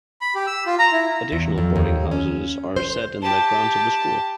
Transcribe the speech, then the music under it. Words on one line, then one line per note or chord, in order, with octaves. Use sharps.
Additional boarding houses are set in the grounds of the school.
B5
G4
E6
F4
A#5
E4
E2
F2
D#2
C#4
C5
G4 A5